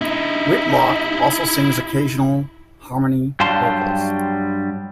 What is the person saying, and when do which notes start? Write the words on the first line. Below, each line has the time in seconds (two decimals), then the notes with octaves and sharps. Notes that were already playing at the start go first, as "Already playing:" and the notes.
Whitlock also sings occasional harmony vocals.
0.01 D#4 E4
3.40 G2 F#3 G3 F5 A5 C6